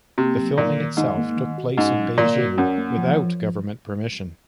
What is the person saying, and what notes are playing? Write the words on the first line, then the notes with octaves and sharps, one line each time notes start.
The filming itself took place in Beijing, without government permission.
C3 A#3
F#3
A#2 D#3
D#3
G#2 D#4
A#3
D#3
F#4
G#2 C#4
F#3
A#2 D#3
F#4
F#2 C#4
A#3
F3
F3